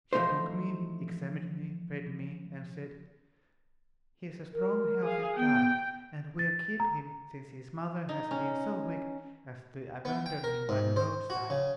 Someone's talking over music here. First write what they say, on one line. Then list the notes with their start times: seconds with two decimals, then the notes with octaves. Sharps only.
She took me, examined me, fed me, and said: 'He's a strong, healthy child; and we'll keep him since his mother has been so wicked as to abandon him by the roadside.
0.13 E3 F3 G#3 A3 D#4 C5
4.54 A#4
5.03 G#4 F5
5.37 B3 G5
6.39 A6
6.80 A#5
8.09 D#4
8.31 C#4
10.05 B3
10.26 G5
10.44 A#4
10.69 G#2
10.96 C5
11.30 F#4
11.50 C#3